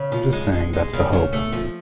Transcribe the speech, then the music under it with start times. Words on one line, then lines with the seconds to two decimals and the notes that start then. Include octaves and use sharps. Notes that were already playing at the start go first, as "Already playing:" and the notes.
I'm just saying that's the hope.
Already playing: C#3
0.12 F3
0.33 G#3
0.52 G#3
0.73 G#3
0.93 C#3
1.13 C#3
1.33 A3
1.52 F3